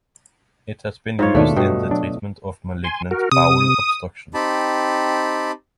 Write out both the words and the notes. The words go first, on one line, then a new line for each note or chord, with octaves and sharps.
It has been used in the treatment of malignant bowel obstruction.
G#2 F4 C#5
D#2 B2 D#3 A3 D4
G2 B2 G5
F#3 D4
G#5 C6
F#4 A#4
C3 D#6
C4 D#4 G4 A5 B5